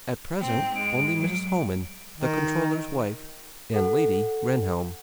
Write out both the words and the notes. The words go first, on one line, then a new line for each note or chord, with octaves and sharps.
"At present only Mrs. Homan, the controller's wife, and Lady Rehnhjelm."
G#2 C4 G5
G#3 D7
F#3
D#3
A4 F#5